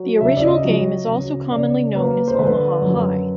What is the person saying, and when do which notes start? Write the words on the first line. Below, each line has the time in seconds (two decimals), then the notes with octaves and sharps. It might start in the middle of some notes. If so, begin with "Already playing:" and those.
The original game is also commonly known as "Omaha high".
Already playing: F#3
0.21 C#3 E5
0.37 D5
0.43 D#5
0.64 F#3
1.07 C#3
1.51 C#3 D5
1.94 A#3 B4
2.28 C5
2.39 D3 B4
2.81 F#2